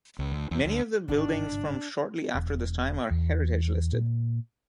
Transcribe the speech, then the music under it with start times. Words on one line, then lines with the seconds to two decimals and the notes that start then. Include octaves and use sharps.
Many of the buildings from shortly after this time are heritage listed.
0.19 C#2
0.32 D2
0.51 E2
0.65 D2
1.08 G1 G#2 C3 D4
2.34 E1
3.11 E2
3.92 A#2